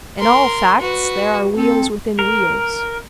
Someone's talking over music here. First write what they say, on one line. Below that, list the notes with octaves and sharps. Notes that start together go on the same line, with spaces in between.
In all facts there are wheels within wheels.
A#4 C6
F#4 B4
C4 A4
A#4